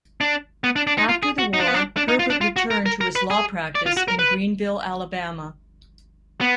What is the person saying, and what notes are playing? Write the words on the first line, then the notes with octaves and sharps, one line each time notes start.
After the war, Herbert returned to his law practice in Greenville, Alabama.
D4
B3
D4
D4
D#4
F4
G#4
F#4
D#4
D4
B3
D4
D4
D#4
F4
D4
F4
F#4
A#4
A#4
A#4
B4
G#4
D5
F4
F#4
A#4
B4
B3